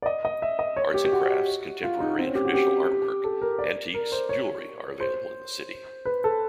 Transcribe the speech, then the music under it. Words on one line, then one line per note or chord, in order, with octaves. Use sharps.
Art and crafts, contemporary and traditional artwork, antiques, jewellery are available in the city.
D5
D#5
D#5
E5
D#5
C#5
G4
G4
F#4
F4
D#4
C4
C#4
G4
F#4
G4
A4
A#4
D5
A#4
C5
C#5
C5
B4
A4